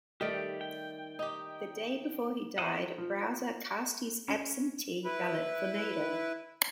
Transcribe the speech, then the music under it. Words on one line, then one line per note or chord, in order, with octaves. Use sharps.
The day before he died, Brower cast his absentee ballot for Nader.
D#3 G3 A3 G4 D5
G5
D#4 G4
E4 C5 D#5 F#5
F3
C#4
E4 B4